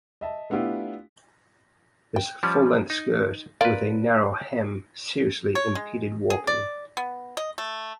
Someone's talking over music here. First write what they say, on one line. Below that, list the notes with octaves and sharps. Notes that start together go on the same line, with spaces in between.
This full-length skirt with a narrow hem seriously impeded walking.
D#5 E5 A5
A3 B3 D4 E4 F4 G4
G5
F3 G3 C#4
D#4
A#3 F4 B4 D5
C#5
G#3
G#4
D5
B3
D#5
A3